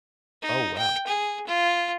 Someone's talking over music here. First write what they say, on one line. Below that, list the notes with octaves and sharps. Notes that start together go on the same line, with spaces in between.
Oh wow.
D#4
G5
G#4
F4